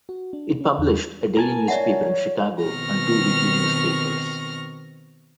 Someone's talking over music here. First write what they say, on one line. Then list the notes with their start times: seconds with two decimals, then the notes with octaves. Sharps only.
It published a daily newspaper in Chicago and two weekly newspapers.
0.09 F#4
0.33 D4
0.61 C#4
0.79 E2
1.37 A#4 G#5 A5
1.68 C#5 D5 E5 F#5
2.65 B2 D#3 C4 C#6 F6 A#6